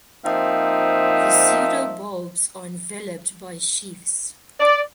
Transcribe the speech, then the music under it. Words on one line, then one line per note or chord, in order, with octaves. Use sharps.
The pseudobulbs are enveloped by sheaths.
F3 A#3 C4 D#4 E5
D5